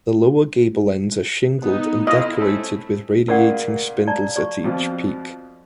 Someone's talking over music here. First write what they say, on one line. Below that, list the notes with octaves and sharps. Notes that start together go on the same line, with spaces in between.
The lower gable ends are shingled and decorated with radiating spindles at each peak.
B3 D#4
F2 E4 F4 D#5
A3 C4 C#4
A#2 C#3 A#4 D5 F#5
D5 A5 A#5
D5 C#6
F2 B2 F3